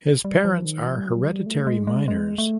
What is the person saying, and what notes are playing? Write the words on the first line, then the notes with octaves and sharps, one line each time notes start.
His parents are hereditary miners.
G3
F3
D#3
F3
G3
F#3
G3
A3
G#3
G#3
G#3
A3